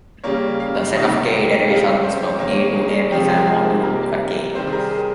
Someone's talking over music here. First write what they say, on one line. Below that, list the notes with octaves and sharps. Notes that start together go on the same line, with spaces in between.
The set of "k"-derivations from "A" to "M", is a module over "k".
C#3 G3 A#3 C#5
F5
C3 D#3 G3 A#3 D#4
G5
C#3 G#3 C4 F5
C#5
C5
C#5
D#3 A#3 C#4 C#5
G#4
C3 F3 G#3 C4 G4
C5
A#4
G#4
C3 G3 A#3 A#4
C3 D#3 G3 C5
G#4
A#4
G#4